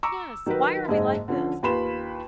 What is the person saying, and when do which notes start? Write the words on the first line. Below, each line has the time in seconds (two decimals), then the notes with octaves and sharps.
Yes, why are we like this? I you know
0.03 A#5 C#6 D6 E6
0.46 D#3 F#3 D#4 A#4 B4
0.88 F#1 G#2 G#3 G#4 D#5
1.28 D3 F3 C#4
1.63 D#2 F4 B4 B5 C6 E7